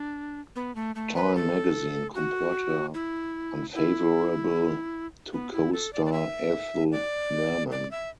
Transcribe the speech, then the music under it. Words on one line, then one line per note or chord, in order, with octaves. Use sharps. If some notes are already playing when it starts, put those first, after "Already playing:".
"Time magazine" compared her unfavorably to co-star Ethel Merman.
Already playing: D4
B3
A3
A3
B4
A4
F#4
E4
E4
B3
E4
A4
D5
D5
E5
D5
D5
E5